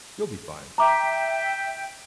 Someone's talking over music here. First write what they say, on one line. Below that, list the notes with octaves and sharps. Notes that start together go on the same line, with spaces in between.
"You'll be fine."
E5 G5 A#5 D6